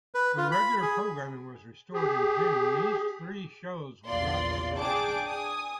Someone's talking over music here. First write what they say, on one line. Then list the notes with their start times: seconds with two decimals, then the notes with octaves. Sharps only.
When regular programming was restored in June, these three shows were not resurrected.
0.15 B4
0.38 F4
0.52 B5
0.82 G#4
1.93 G4 G#4
4.07 A#1 E2 F4 D5 C6
4.77 D4 G#4 G5 A5 D6
5.28 G#5 D#6